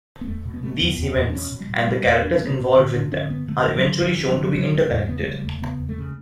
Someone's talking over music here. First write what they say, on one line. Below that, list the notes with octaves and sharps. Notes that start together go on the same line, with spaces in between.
These events-and the characters involved with them-are eventually shown to be interconnected.
B3
E2 A3
B2
B3
B2 A3
B3
E2
E2
E2
D4
B2 C#4
B2
G3
B2
B2 G3
E2 A3
B2 D4
C#4
G2
B3
G2 C#4
D3
D3 D4
D3 C#4
G2 B3
D3 A3
G2
F#3
D3
G2 E3
G2
F#3
D3 E3
F#3
C#3 F#3
C#3 A3
G3
E2
C#3 B3
A3
C#3
G3
E2 A3
C#3 B3
E2
A3
C#3